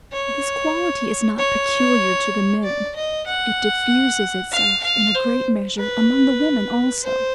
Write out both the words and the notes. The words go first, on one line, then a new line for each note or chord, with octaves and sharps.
This quality is not peculiar to the men; it diffuses itself, in a great measure, among the women also.
C#5
C#5
D5
D#5
F#5
F5
F5
C5
B4
C5